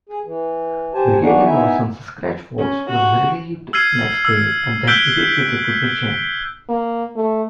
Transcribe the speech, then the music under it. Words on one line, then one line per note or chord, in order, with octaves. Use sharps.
Brigadier Lawson's scratch force was relieved next day and then evacuated to Britain.
G#4
E3
G4 C5 G#5 A5
A#3 B3 D4 D#4 F#4 G#4
B3 D#4 E4 E5 G#5
C#4
F#4
E6 F6 G#6 C7 D#7
E6
E6 F#6 G6 B6 D7 G7
A#3
A3